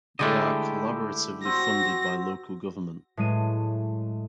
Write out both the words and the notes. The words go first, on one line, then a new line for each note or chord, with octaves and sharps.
They are collaboratively funded by local government.
D3 G#3 A3 E4 G4 D#5
C4 F#4 A#6
A2 F#3 G#3 A3 D#7